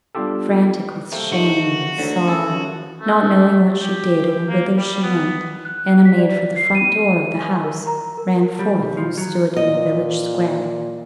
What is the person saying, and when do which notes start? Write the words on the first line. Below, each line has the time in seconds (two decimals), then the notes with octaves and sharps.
Frantic with shame, with sorrow, not knowing what she did, or whither she went, Anna made for the front door of the house, ran forth and stood in the village square.
0.15 G3 B3 D4 F4 G4 A4
1.12 C3 A3 A#3
1.32 D#3 F#4
1.98 D2 D3 F#3
2.27 F#2 E4 G#4 A4
3.01 A3
3.81 G4
4.49 A#3
4.77 G3
5.03 B3
5.65 F#6
6.05 B6
6.17 D5
6.56 C7
6.75 D#7
7.38 G#5
7.64 A#4
7.87 A#5
8.17 A#4
8.59 G3
8.79 B1
8.97 F3
9.18 F#3
9.56 A#2 D#5